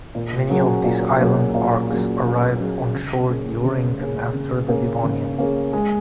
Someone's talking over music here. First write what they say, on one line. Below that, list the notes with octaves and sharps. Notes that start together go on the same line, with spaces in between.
Many of these island arcs arrived onshore during and after the Devonian.
A#2
F#3 A#3 C#4 G#4
A#2
F#3 A#3 C#4 G#4
A#2
F#3 A#3 C#4 G#4
A#2
F#3 A#3 C#4 G#4
C#3
A#3 C#4 G#4
C#3
A#3 C#4 G#4
C#3
A#3 C#4 G#4
C#3
A#3 C#4 G#4
G#3